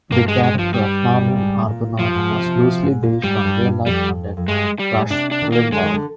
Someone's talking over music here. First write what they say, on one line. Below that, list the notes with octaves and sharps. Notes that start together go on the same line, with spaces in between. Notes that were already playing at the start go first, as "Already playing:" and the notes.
The character of Norman Arbuthnot was loosely based on real-life pundit Rush Limbaugh.
G2 A#3
G#3
G#3
F3
G3
A#2
G#2
C3
A#2
G2 F3
G#2
C3
C3
C3
G#2
A#2
G#2 G3
G2
G2
F2 G3
F2
G2 G#3
G3
G#2
C3 D4
D4
D#3
A#3
D3 G#3
D#3
D3